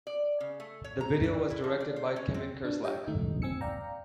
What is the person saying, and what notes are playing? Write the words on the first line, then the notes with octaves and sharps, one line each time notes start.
The video was directed by Kevin Kerslake.
D5
C#3
A3
C#5
A#5
G3
E4
F3
D5
C5
C#4
C4
D4
G4 C#5 D#5 E5 G5
D#3 A3 D#4
C4 G#5 E6 C#7
D5 F5 G5 A#5